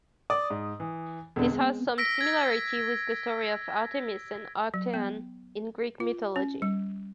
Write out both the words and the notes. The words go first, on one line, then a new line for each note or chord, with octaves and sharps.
This has some similarity with the story of Artemis and Actaeon in Greek mythology.
D5 D6 D#6
G#2
E3
E1 D3 B3 C4
G#3
E6 A#6 B6 D7
E6 G#6
F#3
B3
F4
C#4
G3